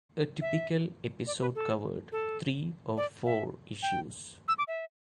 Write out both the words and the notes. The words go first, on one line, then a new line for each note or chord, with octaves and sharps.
A typical episode covered three or four issues.
E5
D5
B4
A4
A4
D5
E5
G5
E6
D6
E5